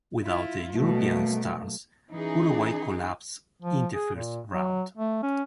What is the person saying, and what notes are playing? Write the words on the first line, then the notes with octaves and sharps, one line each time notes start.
Without the "European" stars, Uruguay collapsed in the first round.
E4 F4
B2 F#3 G3 A3 A#3
E3 C#4 D#4 G#4
F3
G#4
A#2
F#3
A3
C#4